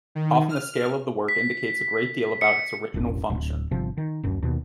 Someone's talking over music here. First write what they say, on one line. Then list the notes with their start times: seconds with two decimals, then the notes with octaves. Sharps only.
Often the scale of the work indicates a great deal about its original function.
0.15 D#3
0.49 F6
1.29 B6
2.41 C#7
2.94 E1 A1
3.30 D1
3.71 G1 C3 F3
3.97 D#3
4.23 D1 F#2
4.43 D#2 B2